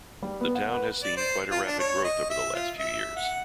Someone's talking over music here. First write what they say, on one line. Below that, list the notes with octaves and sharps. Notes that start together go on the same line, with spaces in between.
The town has seen quite a rapid growth over the last few years.
G3
B3
F#5
B4
D5
C5
F4
D4
C#5
D#5
E5
F4
E5
F#5